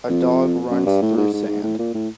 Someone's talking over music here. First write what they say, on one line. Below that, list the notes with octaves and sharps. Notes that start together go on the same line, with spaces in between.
A dog runs through sand.
F2
F#2
G2
A2
G#2
G#2
G#2
A2
A#2
A2